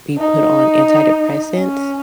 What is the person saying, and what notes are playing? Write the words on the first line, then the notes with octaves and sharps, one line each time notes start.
be put on antidepressants,
D#4
C#4